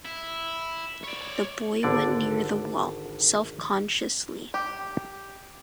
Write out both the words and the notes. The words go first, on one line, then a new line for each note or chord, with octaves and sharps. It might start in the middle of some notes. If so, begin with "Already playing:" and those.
The boy went near the wall, self-consciously.
E4
C#5 D5
G#1 D3 D5
G4